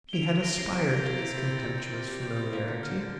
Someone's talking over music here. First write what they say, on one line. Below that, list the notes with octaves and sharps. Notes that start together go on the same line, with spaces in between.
He had aspired to this contemptuous familiarity.
G7
E4 D7 F7
E4
E4 A#6 D7
C3 C7
A#3 A#6
C3
G6
A#3 A6
E4
C3
C4
A6
C4 G6
C3
C3
G3
G3 G6
C3
A#3
D3
D3 F6
D3